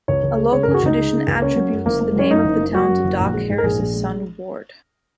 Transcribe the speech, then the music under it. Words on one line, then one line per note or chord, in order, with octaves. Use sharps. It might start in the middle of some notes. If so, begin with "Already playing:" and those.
A local tradition attributes the name of the town to Doc Harris's son Ward.
C#2 C#5
C#2
G#3
C#3 C#5
A#4
C#2 G#4
F#4
C#2 D#4
G#3
C#3
C#2
A#3 C#4
F#3
F#2
F#1 A#3
A#3
F#3 C#4
F#2 D#4
F#1
A#3
F#3 F#4
F#2
F#1
A#1
G#3
G#2
A#4
A#1 G#4
A#1
G#3